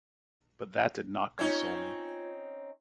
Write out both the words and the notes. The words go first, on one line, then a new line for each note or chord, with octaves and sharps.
But that did not console me.
C4 C#4 D#4 F4 C#5 G#6